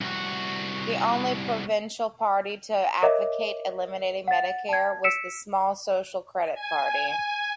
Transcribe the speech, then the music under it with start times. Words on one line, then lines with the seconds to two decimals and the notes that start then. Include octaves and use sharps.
The only provincial party to advocate eliminating Medicare was the small Social Credit Party.
0.01 C2 F#4
3.02 A#4 C#5 D#5 E5 D6
4.28 F#5 A6
4.69 A5 G#6
5.04 E6 B6 C#7 D7 E7
6.54 G#5